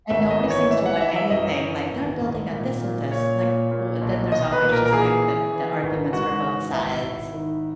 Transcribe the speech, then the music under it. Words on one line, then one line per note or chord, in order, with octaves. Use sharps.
And nobody seems to want anything, like, "They're building a this and this," like, will and then there's always just, like, the the arguments for both sides,
G#1 E5
D#5
E3
C#5
E3 E5
F#5
E3 E5
E5
F#2 D#5
E3
G#1
G#1
A#2
A#2
A#2 C#5
A#2
A#2
B1
B1 D#5
B4
A#2
A#4
A#4
E3 G#4
E3
E3
G#1
G#2 F#4
E3
G#1 E4
G#1
D#3